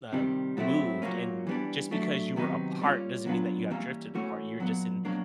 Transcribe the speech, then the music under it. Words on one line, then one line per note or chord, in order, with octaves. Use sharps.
uh, moved, and just because you were apart doesn't mean that you have drifted apart, you're just in
C3 D#3 G3
A2 F#3 A3 C4 E4
A#2 F#3 A#3 C#4
E3 G3 B3 D4
F#3 A3 D4
C3 D#3 F#3 B3 D#4
G3 A#3 C#4 F4
A#2 F#3 B3 D4 F4
E3 G3 A#3 C#4
E3 A3 C#4 F#4
A#2 F#3 B3
B2 F#3 A#3 D4